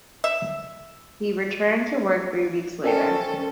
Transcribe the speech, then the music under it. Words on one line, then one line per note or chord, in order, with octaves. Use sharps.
He returned to work three weeks later.
E5
C#4 A4 A#4 C5 D5 G5